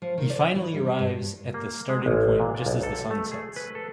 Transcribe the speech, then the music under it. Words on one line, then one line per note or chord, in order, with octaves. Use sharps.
He finally arrives at the starting point just as the sun sets.
F3
D#3
D5
E3
G3
G2
A#3
G#3
A1
A#2
D5
B1
A4
A3
G#4
B4
A4